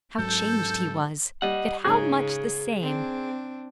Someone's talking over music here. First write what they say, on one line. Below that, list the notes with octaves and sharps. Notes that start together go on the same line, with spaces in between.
How changed he was, yet how much the same!
G#2 F#3 A4 G6
G3 D#5 F#5
G#2 C#3 D#4 G#4
C4 D4